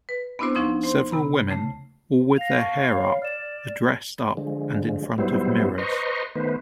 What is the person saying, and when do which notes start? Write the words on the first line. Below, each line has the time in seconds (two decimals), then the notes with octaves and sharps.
Several women, all with their hair up, are dressed up and in front of mirrors.
0.09 B4
0.39 B3 C4 D4 E4 F#4 C5
0.55 D2 F3 C#4 D#4 C6
0.84 C5 C6
1.11 C3 A#5 B5
1.50 C#3 A3
2.38 F5 A#6 F7
2.58 A5 C#6
2.95 C#5 B5
3.22 D5 F6 E7
4.37 D3 F3 G#3
5.18 G#2 F#3 G3 B3 E4 C5
5.78 B4 C5 D#5 A#5 C6 C#6
6.36 D#3 A3 B3 B4 C5